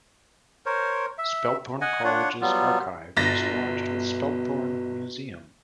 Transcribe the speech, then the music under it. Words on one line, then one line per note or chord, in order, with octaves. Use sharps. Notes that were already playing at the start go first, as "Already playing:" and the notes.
Spelthorne College's archive is lodged with Spelthorne Museum.
A#4 C5 C#5
E5
D#5 F#5 G#5
D4 F4 C#5 F#5
F#3 G3 B3 F4
G1 B2 A6 A#6